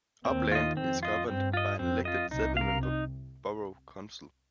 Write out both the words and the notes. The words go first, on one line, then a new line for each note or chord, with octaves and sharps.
Upland is governed by an elected seven-member borough council.
D#2 D#3 C4
F4 D#5
F2 C4
F4 D#5
G2 C4
F4 D#5
F2 C4
F4 D#5
C2 C3 D#4
A#4 F5
D#4